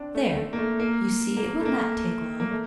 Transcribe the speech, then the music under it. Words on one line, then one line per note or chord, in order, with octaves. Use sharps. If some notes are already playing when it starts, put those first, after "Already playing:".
"There, you see it will not take long."
Already playing: C4 D4
A3
A3
A#3
A3
A#3
A#3
A3
A#3
A#3
A3